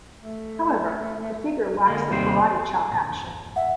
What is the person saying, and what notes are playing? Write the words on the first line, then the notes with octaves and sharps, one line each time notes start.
However, the figure lacks the karate chop action.
A3
D3 G#3 A#3
D#2 C3 G3 C5
A1 A#2 D3
D#1 G#1 F2
E5 F#5